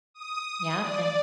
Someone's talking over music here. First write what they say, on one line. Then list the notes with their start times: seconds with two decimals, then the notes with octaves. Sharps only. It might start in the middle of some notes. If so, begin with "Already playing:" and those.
Yeah, and
0.14 D#6
0.78 D5